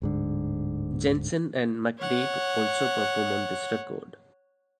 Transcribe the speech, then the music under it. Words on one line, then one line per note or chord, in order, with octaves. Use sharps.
Jensen and McDade also perform on this record.
D1 G#2 D3
C#5 F#5